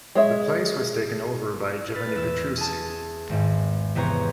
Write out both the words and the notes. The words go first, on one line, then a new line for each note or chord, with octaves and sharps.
The place was taken over by Giovanni Petrucci.
G#3 C#5 E5
B4 F6 A6
E2 E6
G#4 A5
G#1 G#2
E2 C3 B3 C5 C#5 A#5